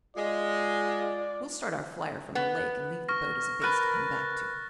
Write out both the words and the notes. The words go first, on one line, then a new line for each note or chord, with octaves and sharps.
"We'll start our flier from the lake and leave the boat as a base to come back to."
G#3 F4 D5
B3
C#6 F6 A#6
A#4 B4 F6 F#6 A6